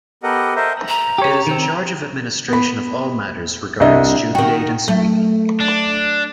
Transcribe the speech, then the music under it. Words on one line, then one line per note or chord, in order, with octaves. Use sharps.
It is in charge of administration of all matters regarding student aid in Sweden.
B3 G4 A4 A#4 D#5 F#5
A4 A#4 C5 D#5 E5
A#5
G4 C#5
D#3 C4
B3 B5
C2 D4 D#5 E5
D#3 F#4 G5
F#3 A3
D4